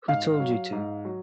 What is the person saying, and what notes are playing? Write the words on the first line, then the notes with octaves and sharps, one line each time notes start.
Who told you to?
G#2 F5
F#3
G#2
F#3